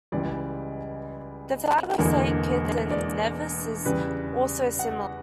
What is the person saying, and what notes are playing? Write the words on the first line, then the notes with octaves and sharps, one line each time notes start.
The Flag of Saint Kitts and Nevis is also similar.
C#2 C#3 E3 G3 D5
E1 E2 D3 A#3
D5
E2 C#3 G3 B4
F#5